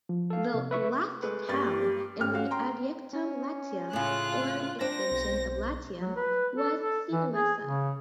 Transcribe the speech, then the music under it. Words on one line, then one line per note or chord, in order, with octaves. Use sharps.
The "last town" in the Adiectum Latium, or "Extension of Latium", was Sinuessa.
F3
A4 F5
C3
B4 E5 C#6
G#3 A3 B4
G2 A#3 G4 A6
G#1 C#4 G4 F6
F#4 F5
G5 A#5 C6
C#4
A2 C#3 F4 F#6
C4 D4 C5 A#6
B1
F#3
B4
A4
A4
E3
G#4
C#3